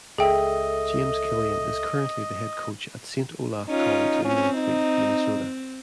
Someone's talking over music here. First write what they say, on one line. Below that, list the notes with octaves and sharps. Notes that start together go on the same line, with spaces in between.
James Kilian is currently the head coach at Saint Olaf College in Northfield, Minnesota.
C#2 G#4 A4 D#5 E5 G5
C#4 D#4 F4
C4 C#4
D#4